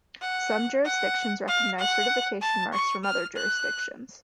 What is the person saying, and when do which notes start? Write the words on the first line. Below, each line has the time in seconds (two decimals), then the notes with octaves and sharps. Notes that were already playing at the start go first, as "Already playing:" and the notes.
Some jurisdictions recognise certification marks from other jurisdictions.
0.22 F#5
0.85 F#5
1.48 F5
1.79 F#5
2.41 A5
2.73 C#6
3.04 F6
3.36 F#6